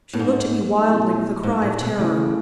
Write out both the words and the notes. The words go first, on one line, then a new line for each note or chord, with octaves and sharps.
She looked at me wildly, with a cry of terror.
A2
G#2
B2 A3 E4 A4
G#2
A2
B2
C#3 E3 A3 E4 G#4